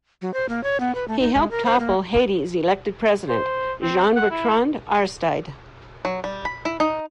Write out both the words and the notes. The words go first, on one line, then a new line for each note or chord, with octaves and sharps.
He helped topple Haiti's elected president, Jean-Bertrand Aristide.
F#3
C5
A#3
C#5
B3
B4
A3
D#4
G#3
A#4
C5
A#3
C5
C4
F#5
E4
F#3
G3
B5
E4
D#4